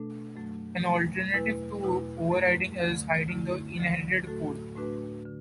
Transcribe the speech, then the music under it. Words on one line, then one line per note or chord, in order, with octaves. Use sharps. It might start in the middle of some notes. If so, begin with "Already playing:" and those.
An alternative to overriding is hiding the inherited code.
Already playing: B2 A3 D4 A4
F#2 F#3 A3
E2 B2 F#3 A3
E2 B2 A3 E4 B4
E2 B2 A3 E4 B4
F#2 F#3 A3
D2 D3 A3
F#2 D3 A3 E4
D2 D3 F#3
A2 A3 F#4 A4
A2 A3 D4 F#4 B4
D3